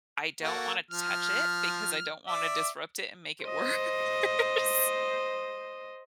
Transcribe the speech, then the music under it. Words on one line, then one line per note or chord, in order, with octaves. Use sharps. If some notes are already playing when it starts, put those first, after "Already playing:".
"I don't wanna touch it, because I don't wanna disrupt it, and make it worse."
A#3 F#4 A4
F3 F6
D5 E5 D6
C5 D#5